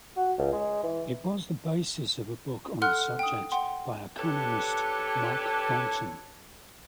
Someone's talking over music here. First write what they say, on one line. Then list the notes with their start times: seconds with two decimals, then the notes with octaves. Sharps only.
It was the basis of a book on the subject by economist Mark Thornton.
0.16 F#4
0.38 C#2
0.52 G#3
0.83 E3
2.82 A4 F#5 C6 F6 F#6
3.19 G5 D#6
3.52 F#5 G5 C6
4.19 D4 G4 A4 B4 C#5